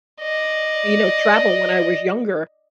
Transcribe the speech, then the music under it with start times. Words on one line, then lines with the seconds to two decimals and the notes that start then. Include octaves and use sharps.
you know travel when I was younger
0.21 D5 D#5